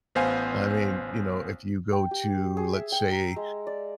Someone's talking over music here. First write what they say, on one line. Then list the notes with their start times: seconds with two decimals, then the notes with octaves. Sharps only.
I mean, you know, if you go to, let's say,
0.15 A1 B3 C5 F5 G#5
1.93 G5
2.11 G4
2.57 G#4
2.73 E5
2.92 G5
3.12 A#5
3.36 G#3
3.67 D5